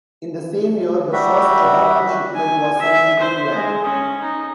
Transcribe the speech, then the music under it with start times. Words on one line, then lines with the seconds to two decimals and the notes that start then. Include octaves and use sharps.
In the same year, the first tobacco shipment was sent to England.
1.13 G3 F#4 E5
2.36 G#5
2.79 E5
3.19 C5
3.55 G#3
3.85 C#4
4.22 D#4